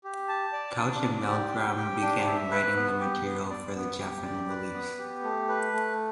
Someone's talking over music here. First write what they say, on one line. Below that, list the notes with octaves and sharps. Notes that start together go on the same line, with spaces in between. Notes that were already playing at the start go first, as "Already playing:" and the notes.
Couch and Meldrum began writing the material for the Gefffen release.
G4
A5
D5
D4
D5
G4
G5
G4
D4
E5
B4
B3
G4
B3
D5
B3
G4
D5
B4
B3
G4
A3
B4
A3